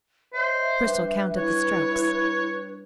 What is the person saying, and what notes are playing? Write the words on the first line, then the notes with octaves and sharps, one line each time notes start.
Cristel counted the strokes.
C5 C#5 D#5 E5
G3 D4 B4
E4 C#5